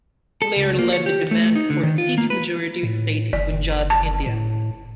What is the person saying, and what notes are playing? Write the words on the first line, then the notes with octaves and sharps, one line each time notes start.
He later led their demand for a Sikh-majority state in Punjab, India.
A4
C#2
A#3
C#5
G4
A3
D#4
D3
D#3
F4
A#3
B4
A2
F#1 D5
A5
A2